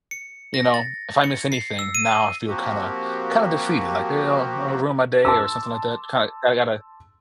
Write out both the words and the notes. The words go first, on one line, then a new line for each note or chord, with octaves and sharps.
you know, if I miss anything, now I feel, kinda kinda, defeated, like, you know, I'll ruin my day or something like that k kinda, gotta,
C#7
A#6
A6
C#7
C7
E6
D#7
F3 A#3 C4 F#4 G4
A5 C6 D6 E6